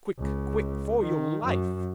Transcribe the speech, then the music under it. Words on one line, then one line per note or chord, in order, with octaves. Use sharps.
Quick--quick! for your life.
C#2
D#3
F#2